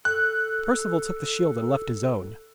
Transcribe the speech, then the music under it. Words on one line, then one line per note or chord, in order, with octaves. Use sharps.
Perceval took the shield and left his own.
A4 F#6